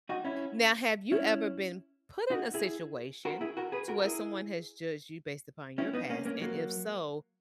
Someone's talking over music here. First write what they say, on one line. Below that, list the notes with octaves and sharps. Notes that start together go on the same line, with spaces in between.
Now, have you ever been put in a situation to where someone has judged you based upon your past and if so,
D#4 F#4
C#4 E4
C#4 E4
D#4 F#4
E4 G#4
F#4 A#4
E4 G#4
F#4 A#4
G#4 B4
F#4 A#4
A#4
E4 G#4
C#4 E4
B3 D#4
A#3 C#4
A#3 C#4
F#3 A#3